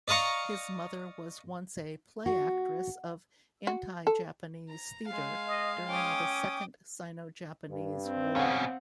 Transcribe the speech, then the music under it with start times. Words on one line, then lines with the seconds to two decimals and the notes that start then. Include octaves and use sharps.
His mother was once a playactress of Anti-Japanese Theatre during the Second Sino-Japanese War.
0.08 D5 D#5 F5 A#5 C#6
2.26 F#4
3.67 F#4
4.07 A4
4.69 A#5
5.07 G#3 F5
5.48 D#5
5.88 C#4 G5 D6 D#6
7.69 G2
8.06 C4
8.36 B2 C#4 F5 F#5